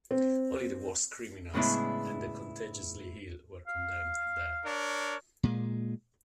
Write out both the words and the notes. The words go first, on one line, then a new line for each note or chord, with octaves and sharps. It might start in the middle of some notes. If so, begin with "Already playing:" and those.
Only the worst criminals and the contagiously ill were condemned there.
C4
A2 C#3 G#3 B3 D4 E4
F5
D4 A#4 C#5
A#2 G#3